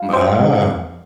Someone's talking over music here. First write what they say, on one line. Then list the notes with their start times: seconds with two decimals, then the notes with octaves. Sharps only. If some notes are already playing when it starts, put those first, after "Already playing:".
M ah.
Already playing: F4
0.13 C5
0.40 G#3
0.67 F2